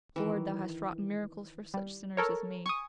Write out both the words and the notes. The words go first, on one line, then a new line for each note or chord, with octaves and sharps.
Lord, thou hast wrought miracles for such sinners as me!
D#3 E3
G3
A4 A#4 C#5
G#5 C#6 D#6